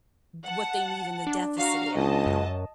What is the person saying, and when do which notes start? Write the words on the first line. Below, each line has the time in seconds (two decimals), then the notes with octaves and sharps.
what they need in the deficit area.
0.45 F#5 A5
1.27 D4
1.58 F#4 F5 A#5
1.96 C#2 D#5 A5
2.27 F#2